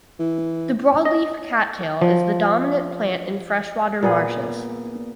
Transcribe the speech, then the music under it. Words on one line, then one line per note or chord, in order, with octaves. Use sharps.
The broadleaf cattail is the dominant plant in freshwater marshes.
E3
D#5
F3
A#2 B3 G#4